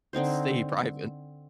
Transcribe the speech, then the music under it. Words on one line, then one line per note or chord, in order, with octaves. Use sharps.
stay private.
D3 C4 D#4 C5